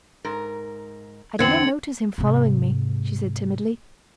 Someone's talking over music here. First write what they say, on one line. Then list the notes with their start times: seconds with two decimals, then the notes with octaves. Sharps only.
"I did not notice him following me," she said timidly.
0.25 G#2 A#4
1.39 E2 D3 C4 G#6 C#7 F#7
2.18 G#2 C3